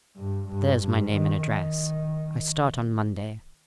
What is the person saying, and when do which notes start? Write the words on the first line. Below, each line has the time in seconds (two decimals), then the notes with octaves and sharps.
There's my name and address; I start on Monday.'
0.16 G2
0.48 G2
0.79 G2
1.10 D#3
1.41 D#3